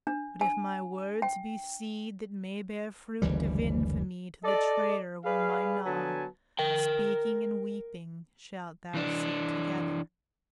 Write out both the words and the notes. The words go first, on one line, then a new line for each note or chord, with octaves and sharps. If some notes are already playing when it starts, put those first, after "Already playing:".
But if my words be seed that may bear fruit Of infamy to the traitor whom I gnaw, Speaking and weeping shalt thou see together.
D4
G#5
G5
F#1 D2 E3 G3
A4 D5 D#5
G#4 B4 D5 F5
D3 F#3 B3 B4 G#5 A5
A#4 G5
E3 D4